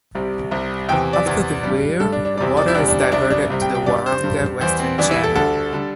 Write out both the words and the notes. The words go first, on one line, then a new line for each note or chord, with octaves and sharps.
After the weir, water is diverted to the Waranga Western Channel.
C2 C3 G3
C2 C3 G3
E2 C3 E3 G5
D5
E2 C3 E3
G2 G3
G2 G3 A4
D4
D4
E2 C3 G3 D5
D5
E4
E2 C3 G3 D4
D4
D4
C2 C3 G3 D4
D4
C2 C3 G3
G5
G5
G2 G3 D5
C5
G2 G3
E2 E3 G3 C5
C4
E2 E3 G3 D4
E4
A4
D2 D3 G3 A4
D3 G3